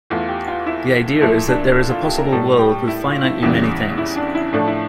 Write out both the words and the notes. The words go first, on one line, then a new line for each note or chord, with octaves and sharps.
The idea is that there is a possible world with finitely many things.
E2 E3 A3 F4
G4
F4
E4
A#2 F3 A3 E4
D4
F4
G4
A#4
A2 G3 A4
G4
E4
F4
E4
E2 C#3 E3 G3 E4
E4
D4
E4
A2 F3 A3 D4
E4